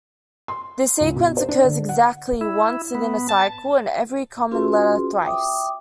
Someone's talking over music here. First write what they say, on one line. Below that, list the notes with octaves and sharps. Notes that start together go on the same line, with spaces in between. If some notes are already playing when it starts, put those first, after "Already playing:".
This sequence occurs exactly once within a cycle, and every common letter thrice.
C6
C#2
B2
C5
D4
D3
F#5
E4
B3
A5
C#4 F4 F#4 G#4 B4 C6
E5 G5 D6 D#6